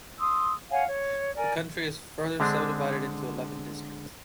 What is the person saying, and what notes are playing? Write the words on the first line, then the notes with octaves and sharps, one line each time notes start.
The country is further sub-divided into eleven districts.
C6 D#6 E6
C#5 F5 F#5 G#5
C#5
A#4 D5 G#5
D3 G#3 C4 D4